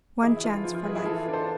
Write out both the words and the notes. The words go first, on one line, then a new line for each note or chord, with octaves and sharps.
One chance for life.
E3 E4 G#4
E4
B3 D4 F4
F3 F4
F4
E4 G#4
B3
E4 G#4
E3 F4 A4
B3 D4
A4 C5